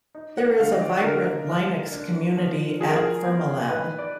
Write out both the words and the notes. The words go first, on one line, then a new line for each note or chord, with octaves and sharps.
There is a vibrant Linux community at Fermilab.
D#4
F#5
F#5
D3 F5
D#5
D5
D3 A#4
G#3
D4
F3
F3 G#4
A#4
G#4
B3
D#4 B4
D5